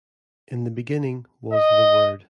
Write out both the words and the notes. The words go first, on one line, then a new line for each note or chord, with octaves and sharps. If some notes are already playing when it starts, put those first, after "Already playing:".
In the beginning was the Word.
D#5